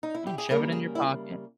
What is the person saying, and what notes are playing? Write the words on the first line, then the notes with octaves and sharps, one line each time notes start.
Yeah, shove it in your pocket.
D#4
E4
G4
G#4
C#3 G3 A#3 A#4
G#4
E4